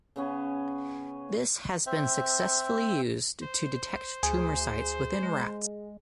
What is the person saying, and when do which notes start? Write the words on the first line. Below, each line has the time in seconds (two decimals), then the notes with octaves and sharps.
This has been successfully used to detect tumor sites within rats.
0.16 C#3 B3 C#4
1.86 C4 C5 E5
3.42 C5
4.23 D2 G#4
5.23 G#3